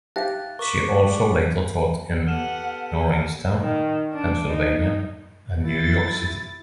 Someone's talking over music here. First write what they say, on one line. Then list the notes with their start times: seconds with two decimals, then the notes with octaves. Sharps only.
She also later taught in Norristown, Pennsylvania, and New York City.
0.16 D#4 G4 E5 F5 F#6 A6
0.59 A#4 C#6 D6 B6
1.06 G#3 D5
2.27 B3 G4 A4 F#5 F6 D#7 E7
3.61 D#3
4.13 D4
4.53 D#4
5.65 E4 A6